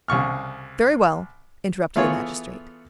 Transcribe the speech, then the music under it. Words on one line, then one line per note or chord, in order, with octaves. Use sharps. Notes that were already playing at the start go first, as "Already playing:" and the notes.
"Very well!" interrupted the magistrate.
C2 C#3 C#6 F6
E3 A3 B3 F4 G#4 C#5